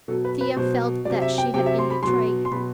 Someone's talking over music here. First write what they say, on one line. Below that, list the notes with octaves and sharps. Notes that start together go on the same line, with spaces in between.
Thea felt that she had been betrayed.
B2 F#3 A4
B4
B4
B2 F#3 C5
C3 F#3 D5
E5
G5
C3 F#3 G5
E5
C6
B5
B2 F#3 C6
C6
B2 F#3 B5